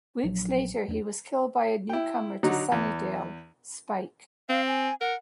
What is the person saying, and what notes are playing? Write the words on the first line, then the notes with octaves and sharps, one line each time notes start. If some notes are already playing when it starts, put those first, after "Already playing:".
Weeks later, he was killed by a newcomer to Sunnydale, Spike.
A#1 F3 F#3 D4
E2 A3 D4
E4 G5
D3 F#3 D#4
E2
C4 F5
G#5
A#4 F#5